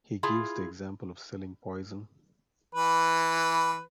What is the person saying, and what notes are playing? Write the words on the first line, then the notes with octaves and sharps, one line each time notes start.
He gives the example of selling poison.
E4 F4 G#4
E3 B4